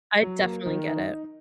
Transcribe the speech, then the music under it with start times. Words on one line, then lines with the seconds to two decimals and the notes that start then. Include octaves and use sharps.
I definitely get it.
0.22 F#3
0.43 A#3
0.66 D#3
0.87 D#4